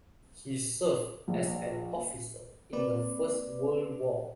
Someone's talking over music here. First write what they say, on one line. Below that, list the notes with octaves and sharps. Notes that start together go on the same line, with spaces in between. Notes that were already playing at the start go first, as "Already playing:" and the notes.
He served as an officer in the First World War.
A#1
A#3 C4 B4 D5